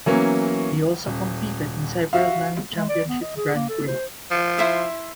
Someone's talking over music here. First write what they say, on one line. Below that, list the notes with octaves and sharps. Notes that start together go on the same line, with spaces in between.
He also competed in several non-Championship Grand Prix.
E3 F#3 A#3 B3 C#4
D#1
F#4 E5 F5
G#3
D5
B3
D#5
G#4
A#3
A4
C5
F3
E4 C5 E5